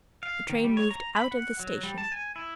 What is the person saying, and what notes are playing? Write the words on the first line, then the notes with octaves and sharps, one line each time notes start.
The train moved out of the station.
F5
D#3
G3
C#5
A#5
B5
F#5
F#3
G3
A5
G#5
E4